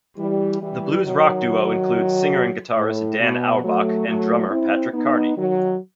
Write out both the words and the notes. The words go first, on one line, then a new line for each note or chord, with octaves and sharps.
The blues-rock duo includes singer and guitarist, Dan Auerbach, and drummer, Patrick Carney.
E3 G3
E3 G3
D#3 F#3
A2
B2
F#3 A3
F#3 A3
C4 E4
B3 D#4
D#3 F#3